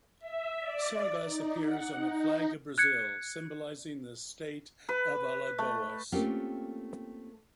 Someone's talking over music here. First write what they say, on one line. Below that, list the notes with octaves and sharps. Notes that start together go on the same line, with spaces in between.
Sargas appears on the flag of Brazil, symbolising the state of Alagoas.
E5
D5
D#4
F#5
D#4
F#6 G#6 C#7
B4
A3
A3 A#3 C4 C#4 F4 G4